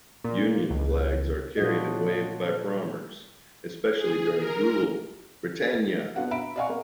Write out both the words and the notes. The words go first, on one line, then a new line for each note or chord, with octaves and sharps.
Union Flags are carried and waved by the Prommers, especially during "Rule, Britannia!".
A#2
C#2
A#2 F#3 D4 F4 F#4 D#5
G#4
A#4
B3 D4 F#4 F5 F#5
E5 A#5 B5 D7
D5 D#5 F5 F#5 G#5 C#6
A#3